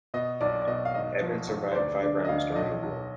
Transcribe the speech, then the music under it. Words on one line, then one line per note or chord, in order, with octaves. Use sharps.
Evans survived five wounds during the war.
B2 D#5
B1 D5
D5
B2 D#5
F5
G#1 D#5
F3
G#1
C5
D2 D5
D3 D5
D#5
D2 F5
D5
B1 D#5
B1